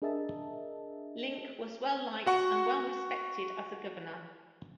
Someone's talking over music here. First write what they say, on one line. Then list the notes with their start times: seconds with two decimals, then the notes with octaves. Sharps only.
Link was well liked and well respected as a governor.
0.02 D4 G#4 A#4 D#5 E5 A5
2.26 F#4 F#5 C#6